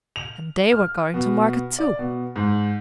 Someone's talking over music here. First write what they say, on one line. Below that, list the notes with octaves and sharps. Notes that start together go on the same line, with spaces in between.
And they were going to market too.
F7
F6
B2
D5
B2
G#2